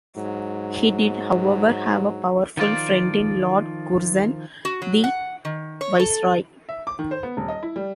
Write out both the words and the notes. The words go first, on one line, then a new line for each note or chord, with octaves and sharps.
He did, however, have a powerful friend in Lord Curzon the Viceroy.
G#2 F#3
D#3 F3 F4 D5
F#4
F#3
F#5
D#3
C#5
A4
E5
D6
D#3
C5
B3
D#1
D#5
E4
G3